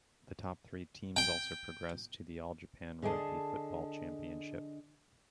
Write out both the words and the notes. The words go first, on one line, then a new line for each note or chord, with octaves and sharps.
The top three teams also progressed to the All-Japan Rugby Football Championship.
G5
D3 G#4 D#5 G5 A5